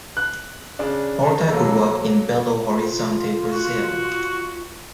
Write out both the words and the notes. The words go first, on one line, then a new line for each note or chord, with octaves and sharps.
Horta grew up in Belo Horizonte, Brazil.
F#6
C#3 D4
F#3 A#3 A4
F4
F#4